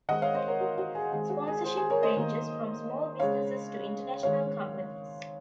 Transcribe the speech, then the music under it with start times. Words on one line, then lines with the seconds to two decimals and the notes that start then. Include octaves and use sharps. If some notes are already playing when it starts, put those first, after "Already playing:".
Sponsorship ranges from small businesses to international companies.
0.09 D#3 G#3 C4 D#5 F#5
0.22 C#5 F5
0.35 C5 D#5
0.48 A#4 C#5
0.60 F#4 A#4
0.78 F#4
0.95 G#4
1.12 D#3 G#3 C4 G#4
1.30 F#4
1.48 G#4
1.64 G#4 C5
1.77 G#4 C5
1.90 A#4 C#5
2.03 C5 D#5
2.17 D#3 F#3 A#3
3.19 C#3 G#3 C4 C#5 F5
4.23 D#3 G#3 C4 C#5 F5